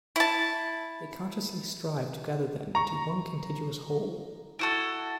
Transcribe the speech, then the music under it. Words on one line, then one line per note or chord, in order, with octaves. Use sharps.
They consciously strived to gather them into one contiguous whole.
E4 A5
A#5 C#6
E4 F#4 A4